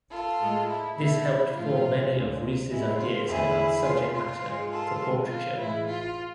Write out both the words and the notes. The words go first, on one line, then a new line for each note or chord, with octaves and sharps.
This helped form many of Reiss' ideas about subject matter for portraiture.
F4 A4
A2 G#3
E4
B2 A3 E4
A2 F3 A3 F4
D2 D3 G#3
A2 G#3 E4
F4
E2 D3 A3 E4 G#4
B2 A3 F4
F4
G#2 G#3
F4 A4
B2 G#3
F4
A2 E3 G#3 E4
F4